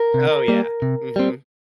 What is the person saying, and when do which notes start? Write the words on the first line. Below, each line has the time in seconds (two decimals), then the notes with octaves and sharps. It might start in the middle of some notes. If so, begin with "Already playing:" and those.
Oh, yeah, mhm.
Already playing: A#4
0.14 C3
0.48 G3 A#3
0.82 C3
1.16 G3 C4